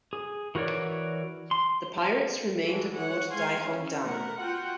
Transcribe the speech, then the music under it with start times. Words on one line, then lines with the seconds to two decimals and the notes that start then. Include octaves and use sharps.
The pirates remained aboard "Dai Hong Dan".
0.13 G#4
0.55 E3 F#4 A#4 C#5 D5
1.51 C6
2.63 E3 G#3 F#4 A4
2.97 C#5 F#5
3.32 G#3 F5 G#5 C6
3.63 C#4
4.04 A3 B3 A#4 F#5
4.39 F4 F#4 F#5 G5